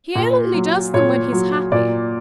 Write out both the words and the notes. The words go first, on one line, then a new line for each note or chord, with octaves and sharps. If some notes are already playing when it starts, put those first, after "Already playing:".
He only does them when he's happy.
A#2
F#3
A#2 C#5
F#3
A#2 D5